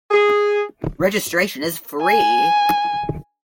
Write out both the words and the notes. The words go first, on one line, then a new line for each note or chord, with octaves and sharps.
Registration is free.
G#4
G#5